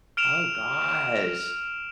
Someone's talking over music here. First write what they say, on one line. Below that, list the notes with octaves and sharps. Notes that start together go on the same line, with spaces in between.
Oh gosh.
F6 D7 E7 F7